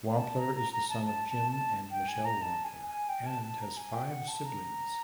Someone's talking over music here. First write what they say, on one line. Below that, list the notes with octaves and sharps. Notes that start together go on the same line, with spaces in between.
Wampler is the son of Jim and Michelle Wampler and has five siblings.
A5
A#5
A#5
A#5
A5
A5
A5
A5
G5
G#5
A#5
A5
G#5
G#5
G5
A5
A5
A#5
G#5
G5
F#5
A5
A#5